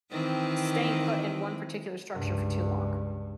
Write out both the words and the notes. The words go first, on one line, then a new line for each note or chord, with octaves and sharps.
staying put in one particular structure for too long?
D#3 E3 C4
C#2 G2